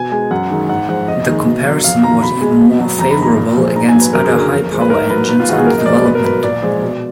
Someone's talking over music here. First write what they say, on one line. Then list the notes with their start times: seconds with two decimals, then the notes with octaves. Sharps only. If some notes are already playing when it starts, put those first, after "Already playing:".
The comparison was even more favourable against other high-power engines under development.
Already playing: B2 G#5
0.12 G#3 G#5
0.31 F#2 F#5
0.50 D#3 G#3
0.69 G#2 F#5
0.89 F3 G#3 F#5
1.08 F2 D#5
1.27 D#3 G#3
1.46 B2
1.65 F#3
1.84 F2 F5
2.03 D#3 F#3 A#5
2.22 B2 B5
2.41 G#3
2.61 B2
2.80 F#3
2.99 F2 A#5
3.10 B5
3.18 D#3 G#3 A#5
3.37 A#2
3.56 F3 G#3
3.76 G#2 A#5
3.88 G#5
3.95 F#3
4.01 B4
4.13 F#2 A#4
4.25 G#4
4.33 D3 F#3 A#4
4.52 F2
4.71 F3 G#3
4.81 B4
4.90 G#2 A#4
5.10 F#3 B4
5.29 G#2 B4
5.40 F4
5.48 D#3 G#3 F#4
5.58 G#4
5.67 F#2 A#4
5.78 D#5
5.86 F3 G#3 D5
6.05 B2 B4
6.15 A#4
6.24 F#3 B4
6.43 A#2 D5
6.62 F3 G#3
6.82 B2